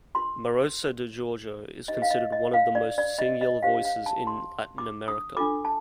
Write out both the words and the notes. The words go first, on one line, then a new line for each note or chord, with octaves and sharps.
Marosa di Giorgio is considered one of the most singular voices in Latin America.
F4 A#4 C6
D#4 G4 C5 D#5
F5
D#5
D#5
F5
D5
D5
D#5
D#5
D4 G4 C5 F5
F5
A5
C6
D6
D#6
D4 F4 A4 D6
A5